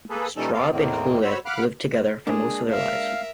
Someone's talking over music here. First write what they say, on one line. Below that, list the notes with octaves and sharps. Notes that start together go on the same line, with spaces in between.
Straub and Huillet lived together for most of their lives.
A#3 G#4 A4 B4
A#2 E3 G3 C#4 D#4 A4
B3 A4 F5
E2 A2 D#3 A#3 C4
F#4 C5 C#5 B5 E6
F5 F#5 B5 D6 F6 F#6
G#3 A#3 D4 G#4
A#4 E5 F5